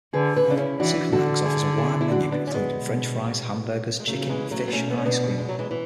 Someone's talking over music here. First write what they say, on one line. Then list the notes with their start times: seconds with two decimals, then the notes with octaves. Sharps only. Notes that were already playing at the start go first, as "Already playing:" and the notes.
Supermac's offers a wide menu including French fries, hamburgers, chicken, fish and ice cream.
0.13 D3 G#4 B4
0.36 G#4 B4
0.47 C#3 D4
0.57 C#4 E4
0.79 E3 D4 F#4
1.12 D3 F#4 A4
1.46 E4 G#4
1.77 E4 G#4
2.01 E4
2.11 D4 F#4
2.32 B3 D4
2.47 C#4
2.54 G#3 B3
2.76 B2
4.00 G#3
4.07 C#3 F#3 A3
4.21 A3
4.29 E3 G#3
4.51 F#3 A3
4.68 B3
4.72 B2 A3 C#4
4.90 B3
4.98 C#4
5.06 B3 D4
5.38 G#3
5.49 F#3
5.59 E3 G#3
5.71 E3